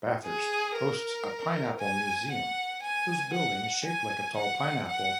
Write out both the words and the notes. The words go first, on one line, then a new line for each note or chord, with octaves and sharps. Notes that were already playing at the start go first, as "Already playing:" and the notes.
Bathurst hosts a pineapple museum whose building is shaped like a tall pineapple.
G#4
A#4
G#5
F#5
G#5
F#5
G#5
F#5
F#5